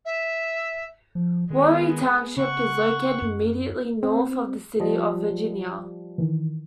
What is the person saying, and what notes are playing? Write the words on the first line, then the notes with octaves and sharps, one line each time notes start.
Wuori Township is located immediately north of the city of Virginia.
E5
F3
D#3 G#3 B3
C#3 F#5 C#6
F#2
C4
F3 G3 D#5
D#3 E3